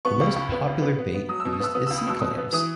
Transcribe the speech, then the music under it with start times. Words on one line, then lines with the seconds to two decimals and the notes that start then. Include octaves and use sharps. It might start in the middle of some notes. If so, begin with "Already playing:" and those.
The most popular bait used is sea clams.
0.05 B3 C#6
0.21 C#2
0.36 C#2
0.52 B3
0.67 C#2
0.82 B3
0.98 B3
1.14 B3
1.29 F#3 D#6
1.40 E6
1.45 B2
1.53 D#6
1.60 B3 E6
1.75 B3 D#6
1.87 C#2 E6
1.98 D#6
2.07 B2 E6
2.20 B2 D#6
2.38 B3
2.53 E3 D#6